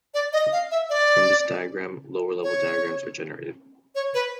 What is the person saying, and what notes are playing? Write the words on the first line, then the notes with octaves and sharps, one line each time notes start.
From this diagram lower-level diagrams are generated.
D5
D#5
F5
E5
D5
C#5
C#5
B4